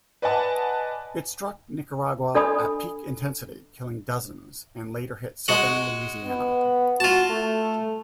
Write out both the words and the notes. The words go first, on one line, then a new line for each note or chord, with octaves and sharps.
It struck Nicaragua at peak intensity, killing dozens, and later hit southern Louisiana.
B4 D5 D#5 F#5 G#5 A5
D4 A4 D5 G#5 B5 D#6
G#3 F#4 F#5
B3
F4 F#4 A5
A3